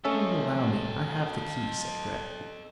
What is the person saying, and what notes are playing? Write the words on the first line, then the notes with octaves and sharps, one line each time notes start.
"If you will allow me, I have the key," said Grey.
A3 C#4 A4 D#5 E5